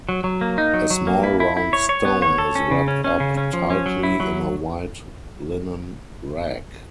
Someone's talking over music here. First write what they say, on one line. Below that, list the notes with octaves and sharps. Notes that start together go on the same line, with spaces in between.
A small round stone is wrapped up tightly in a white linen rag.
F#3
F#3
A#3
D#4
F#3
F#3
A#3
E4
E4
E4
C#5
C#5
B3
C#5
A4
C#4
C#3
C#4
C#4
C#3
C#4
F3
C#4
F#3
E4
F#3